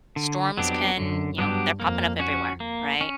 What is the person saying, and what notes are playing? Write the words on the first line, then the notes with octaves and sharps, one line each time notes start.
storms can you know, they're popping up everywhere, right?
D3
F2 F#3 B3 D4 G4
F#2 D3
G2 F#3 B3 D4 G4
F2 A#3
C#4 F#4
A#3
C#4